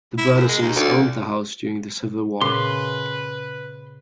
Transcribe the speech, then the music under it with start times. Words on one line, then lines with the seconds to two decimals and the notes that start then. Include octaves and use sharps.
The Burlesons owned the house during the Civil War.
0.18 E4
0.35 F#2
0.48 G#3
0.61 D#2
0.76 D2
2.41 A#2 C#3 B4 C6